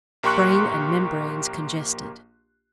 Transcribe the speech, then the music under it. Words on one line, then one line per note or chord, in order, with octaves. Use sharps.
Brain and membranes congested.
A#1 A#3 G4 C6 C#6 F#6